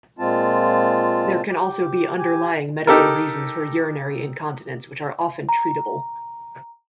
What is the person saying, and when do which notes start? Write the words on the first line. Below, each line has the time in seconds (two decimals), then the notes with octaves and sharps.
There can also be underlying medical reasons for urinary incontinence which are often treatable.
0.19 A#2 G#3 C4 F4 A5
1.49 G4
2.17 G4 G#5
2.87 D#4 G4 A4 A#4
5.49 A#5